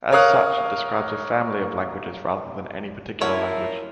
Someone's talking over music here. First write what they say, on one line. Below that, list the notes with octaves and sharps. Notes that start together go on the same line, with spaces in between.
As such, it describes a family of languages rather than any particular language.
A#4 C#5 F5 D#6 F#6
F3 A3 E4 A#4 C#5 F#5